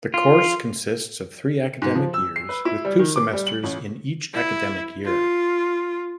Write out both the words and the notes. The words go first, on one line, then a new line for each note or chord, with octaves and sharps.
The course consists of three academic years with two semesters in each academic year.
F4
G#2
F3
E6
C7
B4
E4
G3
D#3
D6
G3
F#7
A1
E4
F4